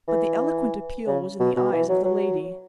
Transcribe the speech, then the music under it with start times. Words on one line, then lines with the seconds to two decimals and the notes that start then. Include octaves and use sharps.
But the eloquent appeal was in the eyes of the lady.
0.08 E3
1.07 C#3
1.40 B2
1.56 B2
1.72 E3
1.89 F#3
2.05 F#3